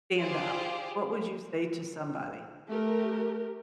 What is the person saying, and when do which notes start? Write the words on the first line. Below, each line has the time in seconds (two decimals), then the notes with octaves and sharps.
stand up? What would you say to somebody?
0.17 F4 G4 G#4 C5 D5
2.68 A3 G4 A#4